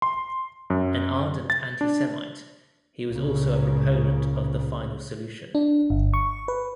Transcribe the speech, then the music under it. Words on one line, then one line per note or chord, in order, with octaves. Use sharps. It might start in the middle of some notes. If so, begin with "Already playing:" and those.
An ardent anti-Semite, he was also a proponent of the Final Solution.
C6
F#2
A6
D4
C#2 A#2 C#3
D4
G1
C#6
B4